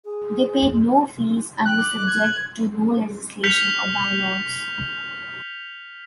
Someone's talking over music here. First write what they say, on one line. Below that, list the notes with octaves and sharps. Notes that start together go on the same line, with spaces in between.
They paid no fees and were subject to no legislation or bylaws.
G#4
F2
G5 F#6
D6
G#6
F6 G6 B6 C#7 F7 G7